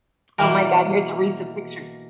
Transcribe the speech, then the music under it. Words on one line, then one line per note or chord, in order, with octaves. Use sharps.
Oh my God. Here's a recent picture.
B2 E3 A#3 A#4